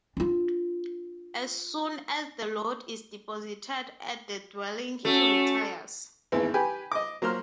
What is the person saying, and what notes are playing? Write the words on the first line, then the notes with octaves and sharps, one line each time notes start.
As soon as the load is deposited at the dwelling, he retires.
D4 F4
A3 C#4 F#4
G#1 D#2 E3 B3
G4 B4 G5 G#5
D#5 D6
F#3 A#3 C5 A#5 C6 F6